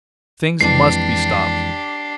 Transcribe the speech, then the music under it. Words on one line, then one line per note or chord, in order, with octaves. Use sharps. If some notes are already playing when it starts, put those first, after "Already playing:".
Things must be stopped.
F2 E3 G#3 D4 G4 C7